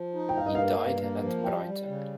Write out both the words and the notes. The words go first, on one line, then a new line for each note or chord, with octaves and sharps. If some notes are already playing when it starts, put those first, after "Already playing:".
He died at Brighton.
Already playing: F3
D#4
G5
G2 F5
D#5
A#3 F5
G2
A#3
F3
G3 G5
G3
C#3